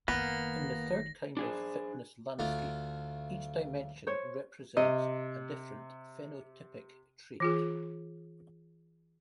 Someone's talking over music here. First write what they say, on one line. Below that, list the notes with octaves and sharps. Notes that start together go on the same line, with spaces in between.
In the third kind of fitness landscape, each dimension represents a different phenotypic trait.
F#1 D#3 A#3 B3 A#6
D4 G#4 C5
D2 A3 F4
C5 C#5
C3 D#5
E3 F4 G#4